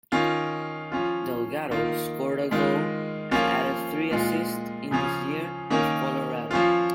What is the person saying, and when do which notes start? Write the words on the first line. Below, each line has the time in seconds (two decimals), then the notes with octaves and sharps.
Delgado scored a goal and added three assists in his year with Colorado.
0.12 D#3 C#4 F4
0.92 F3 C#4 F4
1.71 D#3 A#3 F4
2.51 D#3 G#3 F4
3.31 F3 A#3 C#4 F4
4.11 A#2 G#3 F4
4.91 C#3 F3 C#4 F4
5.70 D#3 A#3 C#4
6.51 F3 C#4 F4